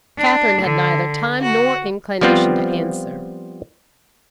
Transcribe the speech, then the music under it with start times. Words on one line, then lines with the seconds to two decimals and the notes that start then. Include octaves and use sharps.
Catherine had neither time nor inclination to answer.
0.18 D4
0.62 D3
1.42 F#4
2.21 F3 G3 B3 C4 F4